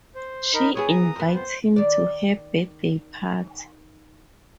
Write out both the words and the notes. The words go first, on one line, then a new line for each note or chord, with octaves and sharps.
She invites him to her birthday party.
C5
D#4 A#4 B5
E3 B3 G#4 C#5 D#6
A#5 D#6
F2 B3
C5
D#3 D5